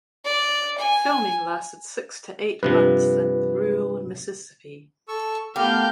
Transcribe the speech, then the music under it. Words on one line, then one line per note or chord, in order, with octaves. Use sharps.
Filming lasted six to eight months in rural Mississippi.
D5
G#5
G2 C3 F3 B4
A4 C#6 E6
A3 B3 G4 A4 A#4 F5 F#5 G6